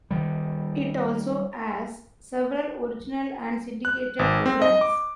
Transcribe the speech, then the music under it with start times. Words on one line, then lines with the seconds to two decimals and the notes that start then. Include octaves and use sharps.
It also airs several original and syndicated programs.
0.11 D#3 G3
3.85 F#6
4.19 G#1
4.46 C4
4.62 D#5
4.81 D6